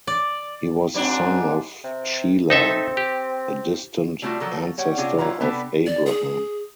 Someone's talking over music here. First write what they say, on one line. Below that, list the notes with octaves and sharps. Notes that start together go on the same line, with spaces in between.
He was the son of Shelah a distant ancestor of Abraham.
D5
G#2 F#3 C4 D4
C3
C4 D#4 A4 E5
G4
G3 A3 C4 F4 F#4 A5
F3 F#3 A4 A#4
G3 C#5 F#5 G5
C3 C#4 D4 F4 G#4
F#3 E4 F4 A#5
C3 B3 D4 A4 B4
D5
G#4